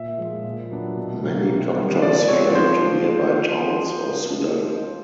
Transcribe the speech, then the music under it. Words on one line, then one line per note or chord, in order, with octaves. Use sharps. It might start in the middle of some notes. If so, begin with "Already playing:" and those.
Many doctors fled to nearby towns or Sudan.
Already playing: A#2 E5
F3 G#3
A#2
F#3 B3 D4
B2
F#3 A#3
C3
D#3 G3 B3 D4
F3 D5
G#3 C4 C#5
F3 C5